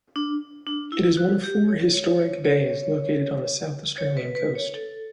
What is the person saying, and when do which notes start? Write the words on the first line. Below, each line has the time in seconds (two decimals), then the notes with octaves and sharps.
It is one of four 'historic bays' located on the South Australian coast.
0.16 D4
0.67 D4
0.92 E4
1.17 F#4
1.44 G4
1.68 C#5
1.94 C#5
2.20 C#5
2.45 C#5
3.98 C#5
4.17 B4
4.35 B4
4.55 C#5
4.74 A4